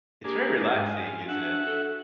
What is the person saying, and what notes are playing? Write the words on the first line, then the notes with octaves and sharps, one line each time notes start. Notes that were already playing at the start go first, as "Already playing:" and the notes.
It's very relaxing, isn't it?
A#3 D4 G4 G#4
G#2 G#5
F4
D4 F#4 E5 F#5
A4